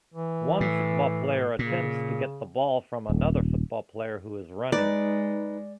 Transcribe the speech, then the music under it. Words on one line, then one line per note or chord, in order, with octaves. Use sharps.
One football player attempts to get the ball from another football player who is running.
E3
A2
A#2 C#3
D#1
G#3 D#4 B4 D5